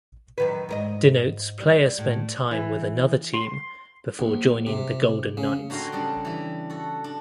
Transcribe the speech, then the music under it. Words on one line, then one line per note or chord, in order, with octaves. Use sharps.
Denotes player spent time with another team before joining the Golden Knights.
F#2 D#3 B4
G#2 A#4 D#5
G3
A2
E3
C6
A#1
C3
C#3
D3 C4 F#4 A#4 G5 C6
C#3 G3 D4
E3 G4
F#4 A4
D4